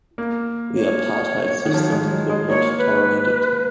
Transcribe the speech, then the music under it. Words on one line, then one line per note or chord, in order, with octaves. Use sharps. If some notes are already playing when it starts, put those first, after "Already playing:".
The apartheid system could not tolerate it.
A#3
C#5
D#3
F3
F#3
G#3
F#3
G#3
A#3 C#5
B4